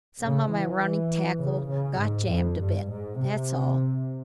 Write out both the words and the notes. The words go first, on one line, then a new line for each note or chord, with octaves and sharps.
Some of my running tackle got jammed a bit, that's all.
C#3
E3
C#3
C#3
G#2
F2
G2
G#2
C3